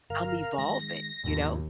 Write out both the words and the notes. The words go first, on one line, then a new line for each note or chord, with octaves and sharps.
I'm evolving. You know?
G1 A#4 F5
D#3 G#3 A#6
D#2 G#2 B2 F3